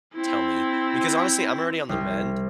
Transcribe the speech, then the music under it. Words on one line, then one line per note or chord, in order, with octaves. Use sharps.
tell me. Because, honestly, I'm already on the mend.
C4 E4
C2